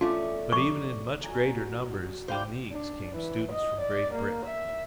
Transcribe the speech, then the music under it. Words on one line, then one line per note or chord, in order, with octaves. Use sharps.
But even in much greater numbers than these came students from Great Britain.
E2 A3 C#4 D4 F4 D5
D#4 D5 D#5 C#6
F#3 G#5 A#5
G3 C5 F5 G5 D6
D4
E3
D#5
D5
A#3
E5